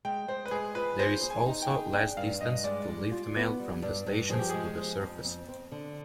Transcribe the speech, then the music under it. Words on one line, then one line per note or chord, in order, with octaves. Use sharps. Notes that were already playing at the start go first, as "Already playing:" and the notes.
There is also less distance to lift mail from the stations to the surface.
G#3 G5
G#3 C5
B4
G#3 G#4
F4 B4
G#4 C5
G#4
G#5
D#4
G5
G#4
D4 G5
G2 F5
G2 D#5
G#3 D5
G3
F4
B3
G3
G2 D5
G2
F3 G#4
G4
G#3 G#4
F3
F2
C4
C4
D3